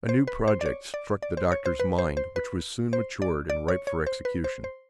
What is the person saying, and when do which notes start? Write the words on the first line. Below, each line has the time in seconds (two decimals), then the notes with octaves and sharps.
A new project struck the Doctor's mind, which was soon matured and ripe for execution.
0.09 C5
0.28 B4
0.48 C5
0.61 D5
0.66 C#5
0.94 D5
1.22 D5
1.37 C5
1.52 C#5
1.66 C5
1.80 B4
1.98 C5
2.17 C5
2.36 B4
2.93 C5
3.22 D5
3.50 D5
3.68 C#5
3.87 C#5
4.07 C5
4.25 B4
4.44 C5
4.64 C5